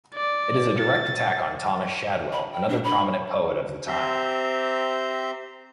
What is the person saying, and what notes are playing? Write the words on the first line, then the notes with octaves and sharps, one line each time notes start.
It is a direct attack on Thomas Shadwell, another prominent poet of the time.
D5
A6
B5
G5
D4
B5
C4 G4 C5 E5 A#5 G6